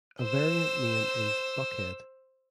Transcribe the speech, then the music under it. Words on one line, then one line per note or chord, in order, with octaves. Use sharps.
A variant name is "Buckhead".
C5 E6